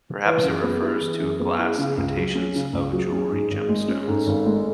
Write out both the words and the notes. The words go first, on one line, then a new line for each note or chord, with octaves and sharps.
Perhaps it refers to glass imitations of jewellery gemstones.
E3 B4
F#2
G#4
B3
G#4
E4
E3
F#2
B3
E4
C#3
C#2
F#3
C#4
C#3 G#4
C#2
F#3
C#4
G#2
G#1
G#3
C#4
G#2 A4
G#1
G#3